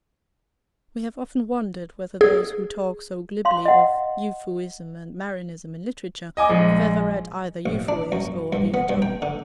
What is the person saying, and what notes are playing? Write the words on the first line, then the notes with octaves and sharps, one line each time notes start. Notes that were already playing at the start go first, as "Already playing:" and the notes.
We have often wondered whether those who talk so glibly of Euphuism and Marinism in literature have ever read either Euphues or the Adone.
G#4
F5 C6
D#5 F#5
D#5 G#5 D6 D#6
A#1 G#3
A1
D4
F#2
G2
B3
G2
G5
D3